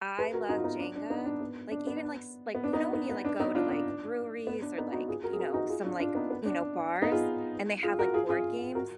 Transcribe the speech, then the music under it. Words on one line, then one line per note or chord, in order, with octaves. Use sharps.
I love Jenga. Like, even, like, s like, you know, when you, like, go to, like, breweries, or, like, you know, some, like, you know, bars, and they have, like, board games?
G#4 B4
F#4 A#4
D#4 F#4
F4
B3 D#4
D4
D4
B3 D#4
D4
B3
D4
B3
B3
D4
B3 D#4
B3
B3
D4
B3 D#4
D4 F4
D4
B3
D4
B3 D#4
D#4 F#4
F4 G#4
F#4 A#4
G#4
F#4 A#4
D#4 F#4
F4 G#4
D4 F4
D4 F4
B3 D#4
B3
D4
B3 D#4
F4 G#4
F4 G#4
F#4 A#4
F4 G#4
F4 G#4
F#4 A#4